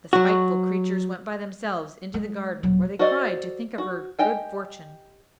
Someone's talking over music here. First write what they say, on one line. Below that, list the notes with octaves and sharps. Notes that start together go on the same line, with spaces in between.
The spiteful creatures went by themselves into the garden, where they cried to think of her good fortune.
F#3 F#4
G#3
D#1 F#3
F#4 A4 C5 D5 D#5
F#4
G4 D#5 G5 G#5